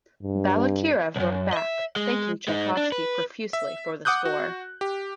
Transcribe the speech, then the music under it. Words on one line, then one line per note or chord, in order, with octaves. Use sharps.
Balakirev wrote back, thanking Tchaikovsky profusely for the score.
G2
B1 F#2
D#5 E5
G#3
G#3 D#4
D4
B4
E5
F#5 D6 D#6 F#6 G6
F#4
G4